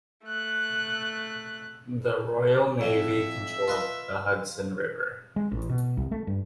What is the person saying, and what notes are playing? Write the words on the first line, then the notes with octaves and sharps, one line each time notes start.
The Royal Navy controlled the Hudson River.
A3 F#6
F2 E5
F4 B4 D#5
G#3
A1
B2
C2
A3
G2